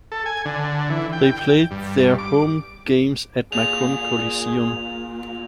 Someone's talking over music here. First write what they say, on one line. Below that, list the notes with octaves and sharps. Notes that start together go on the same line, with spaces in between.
They played their home games at Macon Coliseum.
A4
G#5
D3
E3
G5
G2
D6
A#2 G#4 F7